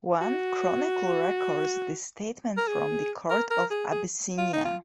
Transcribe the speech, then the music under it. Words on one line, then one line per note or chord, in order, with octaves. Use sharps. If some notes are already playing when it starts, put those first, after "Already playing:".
One chronicle records this statement from the Court of Abyssinia.
F#4
A#4
G#4
A#4
A#4
G#4
G#4
F4
D#4
F4